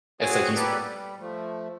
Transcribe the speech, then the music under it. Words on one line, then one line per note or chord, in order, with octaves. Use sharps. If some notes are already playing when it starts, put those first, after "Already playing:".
It's like you s
C4 F#4 G#4 C#5 G#5
A#3 B3 G4 A4 B4 D5
G3
F3 A3